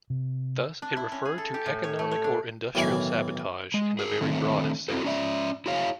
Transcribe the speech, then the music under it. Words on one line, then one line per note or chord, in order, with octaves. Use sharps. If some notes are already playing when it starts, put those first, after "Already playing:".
Thus, it referred to economic or industrial sabotage in the very broadest sense.
C3
D4
E4
C#4
G#4
A4
G4
A2
C#5
A3
C#5
D4
B1 A2 D#3 E3 G#5
G#3
G#4 A#4
D3 D#3 A3 C4
C4 E4 F#4 A4
C#4 D5 E5
E4 F#4 G#4 C#5 F5